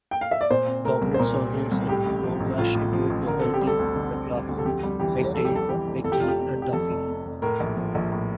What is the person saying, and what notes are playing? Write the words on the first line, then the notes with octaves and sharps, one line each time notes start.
Dominant surnames in Clonglash include Doherty, McLaughlin, McDaid, McGee, and Duffy.
G5
F5
E5
D5
A#2 C5
C4
A3 A#4
C2
C5
A#2 A#4
C4
A3
C2
A2 G4
A1
F3
A1
A2 F4
A1
F3
A1
D3 A#4
C4 A4
G4
G3
A4
D2
D3
C4
G3
D2
A4
F2 G4
G3
E3 G4
F1
F2 A4
G4
G3 A4
E3 G4
F1
F2 A4
G4
F1 F4
G4
C3
F1
G4
F2 A4
F1
C3
F1
A2 A#4
A#1
F3
A#1
A2